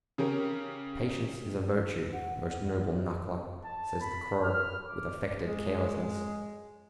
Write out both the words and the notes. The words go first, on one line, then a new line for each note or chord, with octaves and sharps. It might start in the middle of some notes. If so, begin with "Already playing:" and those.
"Patience is a virtue, most noble knuckler!" says the Crow, with affected carelessness.
C#3 C#4 G4 A#4
F#5
A5
B5
F6
D6
G#3